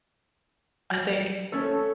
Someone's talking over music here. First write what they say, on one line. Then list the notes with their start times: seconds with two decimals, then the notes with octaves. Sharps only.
I think
1.52 A3 C#4 A4